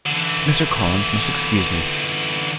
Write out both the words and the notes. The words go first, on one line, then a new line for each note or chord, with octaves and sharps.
Mr. Collins must excuse me.
D3 E3